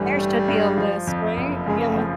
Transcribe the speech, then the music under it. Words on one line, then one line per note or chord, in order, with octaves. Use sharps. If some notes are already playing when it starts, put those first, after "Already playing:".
There should be a list, right? Yeah.
Already playing: A1 G2 E3 G3 A3
A3
G2
F3
F2
F#1
C#3 G#3
A#3
A3
F3